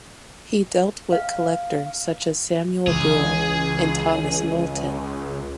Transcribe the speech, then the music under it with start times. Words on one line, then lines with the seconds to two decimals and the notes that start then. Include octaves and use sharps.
He dealt with collectors such as Samuel Brewer and Thomas Knowlton.
1.12 F5
2.87 C#2 E3 G#4